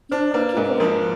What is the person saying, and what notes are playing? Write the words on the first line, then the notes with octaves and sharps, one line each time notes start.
You will lock your door?'
D4 C5
A#3 B4
G#2 A#4
F3 A#4